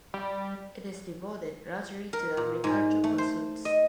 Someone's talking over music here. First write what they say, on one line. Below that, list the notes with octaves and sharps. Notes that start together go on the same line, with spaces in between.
It is devoted largely to agricultural pursuits.
G3
A#4
A#2
G#2
A3
C5
D#5